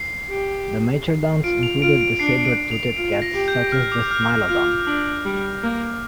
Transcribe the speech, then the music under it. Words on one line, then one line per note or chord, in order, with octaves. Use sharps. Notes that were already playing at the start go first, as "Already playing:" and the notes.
The machairodonts included the saber-toothed cats such as the "Smilodon".
Already playing: C7
G4
F4 D7
F7
F4 D7
D7
D4 C7
D7
F7
F4 D7
A#6
G4
G6
F6
D6
F6
F6
F4 F6
D4
G3
A#3